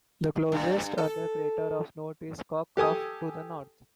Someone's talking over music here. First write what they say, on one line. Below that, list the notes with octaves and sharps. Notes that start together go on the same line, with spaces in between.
The closest other crater of note is Cockcroft to the north.
G2
A4
G4 A4 G#5 D#6